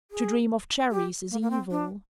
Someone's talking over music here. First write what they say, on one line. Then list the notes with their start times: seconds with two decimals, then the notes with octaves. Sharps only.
To dream of cherries is evil.
0.11 G#4
0.91 G4
1.30 A#3
1.42 A#3
1.50 C4
1.71 D4